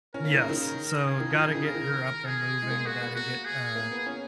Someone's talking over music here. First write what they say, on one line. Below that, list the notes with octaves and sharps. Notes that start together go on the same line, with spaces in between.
Yes, s so gotta get her up and moving, gotta get, uh,
C#4 A#4
A#3
D#3
C#3
D#3
C#3 G#4
D#3
F3
D#3
C#3
D#3
C#3 A#4
D#3
G#4
G#3
A#3
A#3 F#4
B3
A#3 F#4
G#4
A#3
B3
C#4